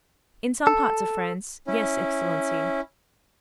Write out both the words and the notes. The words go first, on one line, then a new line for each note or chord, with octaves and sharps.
"In some parts of France--yes, excellency."
A4
C#4 E4